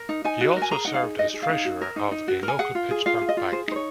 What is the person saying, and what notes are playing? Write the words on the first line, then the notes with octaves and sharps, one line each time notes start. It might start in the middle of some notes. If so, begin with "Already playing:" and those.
He also served as treasurer of a local Pittsburgh bank.
Already playing: A#4
D#4
D#4 G#5
F#4
A#4
G#5
G#4 A#5
D#4 F#5
F5
G#4
D#4 D#5
G#4
F5
D#4
F#4
A#4
D#4
D#4
F#4
A#4
G#5
G#4 F#5
F4
G#4
F4 F5
G#4 F5
D#5
F4
G#4 C5
D#4 C5
C#5